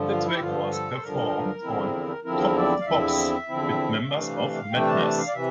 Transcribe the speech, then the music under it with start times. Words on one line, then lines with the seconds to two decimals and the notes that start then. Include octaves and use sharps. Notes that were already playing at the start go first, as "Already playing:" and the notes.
The track was performed on "Top of the Pops" with members of Madness.
Already playing: G2 D3 F3
0.09 F4
0.25 E4
0.34 G4
0.39 G2 D3 F3 F4
0.71 A4
0.94 C5
1.01 G2 D3 F3 A#4
1.62 E2 D3 F3 C4 E4
2.24 E2 D3 F3 C4 E4 A#4
2.56 D5
2.81 F5
2.86 E2 D3 F3 C4 E4 E5
3.48 E2 D3 F3 C4 E4
4.09 C3 E3 A3 D4 F5
4.71 C3 E3 A3 D4 G5
4.87 A5
4.97 A#5
5.02 A5
5.18 F5
5.28 D5
5.34 C3 E3 E5